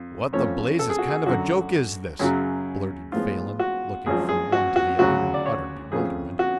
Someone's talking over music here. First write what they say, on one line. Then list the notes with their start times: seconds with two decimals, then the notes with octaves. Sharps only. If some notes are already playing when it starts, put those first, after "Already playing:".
"What the blazes kind of a joke is this?" blurted Phelan, looking from one to the other in utter bewilderment.
Already playing: F2
0.33 F2 F3 A3 C#4 C#5
0.79 A4
0.90 G#4
0.98 F#4
1.08 G#4
1.26 F#2 D3 F#3 F#4
2.19 F#2 C#3 F#3
3.12 A2 F3 G#3 B3 F4
3.59 F#4
4.06 G#1 F#2 F3 G#4
4.29 G#4
4.52 F#4
4.76 F#4
4.99 D2 C#3 F#3 F#4
5.34 D5
5.46 C#5
5.92 F2 F3 A3 C#4 G#4
6.39 F#4